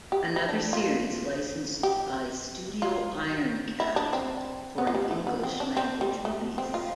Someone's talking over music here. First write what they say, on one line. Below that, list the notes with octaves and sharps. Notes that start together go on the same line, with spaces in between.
Another series licensed by Studio Ironcat for an English-language release.
G4
E4
D4
F4
G4
F4
E4
D4
C4
B3
F3
G3
A3
B3
C4
D4
C4
G3
A3
C4
F4